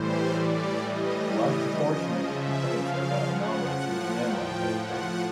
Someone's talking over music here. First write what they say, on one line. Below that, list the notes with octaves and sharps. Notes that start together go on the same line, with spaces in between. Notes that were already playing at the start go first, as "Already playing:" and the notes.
A large proportion of the complaints are about anomalies in the command line interface.
Already playing: A2 E3 G3 C5
D5
D#5
C#3 F3
E5
F5
F#5
A2 F3
G5
F#5